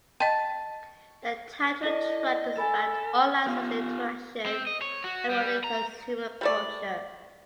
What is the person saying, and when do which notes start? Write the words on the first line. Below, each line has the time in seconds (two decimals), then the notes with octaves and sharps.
The title track is about online social interaction and modern consumer culture.
0.20 D#5 G5 A5
1.84 E4 A4 D5 D#5
2.57 A4 G#5 B5 A6
3.47 B3 F4 G4 F5
4.46 C4
4.67 D#5
4.82 C#5
5.04 F#4
5.30 G3
5.64 A#5
6.41 G3 A3 D5